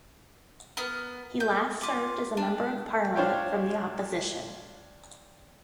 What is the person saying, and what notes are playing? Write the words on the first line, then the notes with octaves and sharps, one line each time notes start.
He last served as a member of parliament from the opposition.
B3 A#4 F6 F#6
G6
F4 D6
D4
D4 C5 C#5 F5 G5